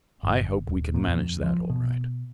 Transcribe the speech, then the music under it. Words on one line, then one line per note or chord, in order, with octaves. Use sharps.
"I hope we can manage that all right."
G1
D#1
A#2
F2
F3
B2